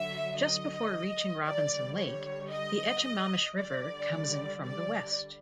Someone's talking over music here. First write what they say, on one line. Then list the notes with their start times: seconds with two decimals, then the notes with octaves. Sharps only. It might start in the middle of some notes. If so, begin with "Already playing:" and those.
Just before reaching Robinson Lake the Echimamish River comes in from the west.
Already playing: D3 F#3 E5
0.38 D#5
1.44 D3 G3 D5
1.98 C#5
2.51 D#5
3.58 D3 G3 D5
4.64 D5